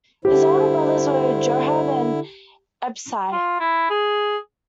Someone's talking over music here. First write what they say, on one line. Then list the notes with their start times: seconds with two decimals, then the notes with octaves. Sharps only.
His older brothers were Joab and Abishai.
0.25 D2 G2 D3 E4 G4 C5
3.32 F4
3.60 E4
3.90 G#4